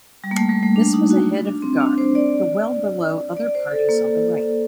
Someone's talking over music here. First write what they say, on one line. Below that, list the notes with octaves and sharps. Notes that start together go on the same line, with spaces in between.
This was ahead of the Guard, but well below other parties on the right.
G3
A#3
A3
G3
A3
D4
D#4
F#4
D4
C4
D4
C5
D5
D5
C5
A4
A#3